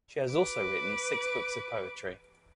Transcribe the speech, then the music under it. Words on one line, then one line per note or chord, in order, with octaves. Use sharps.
She has also written six books of poetry.
B4 D6